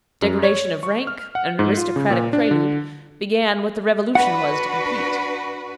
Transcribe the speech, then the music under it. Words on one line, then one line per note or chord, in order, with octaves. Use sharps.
Degradation of rank, an aristocratic prelude, began what the revolution was to complete.
F#2
C#5
C#6
F6
F#5
G#2
F4
C#3
A#2
D4
D3
D4 F#4 B4 F#5